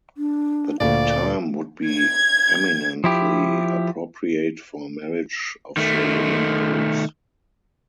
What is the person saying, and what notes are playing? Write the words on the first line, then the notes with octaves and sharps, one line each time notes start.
The time would be eminently appropriate for a marriage of the luminaries.
D4
D2 A#2 D5 F5
G#6
F3 E4 G4
D#3 A3